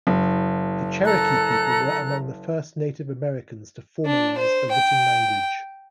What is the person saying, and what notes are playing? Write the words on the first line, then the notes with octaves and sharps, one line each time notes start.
The Cherokee people were among the first Native Americans to formalize a written language.
F#1
A4 A#5 F#6
D4
C5
G5